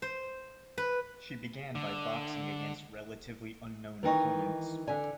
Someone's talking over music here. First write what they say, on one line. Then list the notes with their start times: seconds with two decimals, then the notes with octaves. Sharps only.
She began by boxing against relatively unknown opponents.
0.02 C5
0.78 B4
1.75 D3
4.03 D#3 E3 D#4 B4 G5 C#6
4.87 D3 D5 F5 G#5